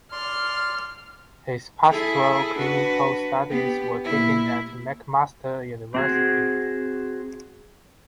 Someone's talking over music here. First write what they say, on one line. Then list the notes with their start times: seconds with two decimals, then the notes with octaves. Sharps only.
His pastoral clinical studies were taken at McMaster University.
0.12 D5 C6 F6
1.90 E4 G#4 A4
2.58 D4 F#4 B4
3.49 B3 G4
4.04 A#2 A#3 E4
5.95 C4 F#4 G#4